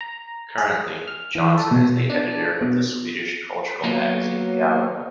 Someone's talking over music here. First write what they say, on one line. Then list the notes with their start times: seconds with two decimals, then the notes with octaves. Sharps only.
Currently, Jonsson is the editor of the Swedish cultural magazine "Galago".
0.01 A#5
0.58 G#4
1.08 F6
1.35 E3
1.58 A4
1.71 B2
2.10 D4
2.61 B2
3.84 F#3 A#3 B3 F4